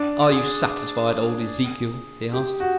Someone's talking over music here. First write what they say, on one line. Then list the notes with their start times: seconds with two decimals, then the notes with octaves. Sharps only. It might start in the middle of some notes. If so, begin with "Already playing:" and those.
"Are you satisfied, old Ezekiel?" he asked.
Already playing: D4
0.30 G#4
2.33 G4
2.60 F#4